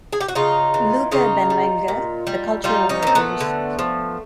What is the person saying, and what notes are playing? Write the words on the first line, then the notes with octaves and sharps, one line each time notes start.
Luca Benvenga The cultural workers.
G#4
G4
F#4
C#3 D#4 F4
E3
C#3 D#4 F4
G3
A#2
G3
G3 D#4 F4
C#4 D#4
A#2 C4
A3 B3
D3
F3